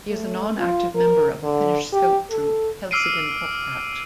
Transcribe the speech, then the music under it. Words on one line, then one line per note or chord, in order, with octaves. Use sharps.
He is a non-active member of a Finnish scout troop Helsingin Kotkat.
A3
F4
A#4
D3
G4
A4
D6 E6 F6 C7 D7 D#7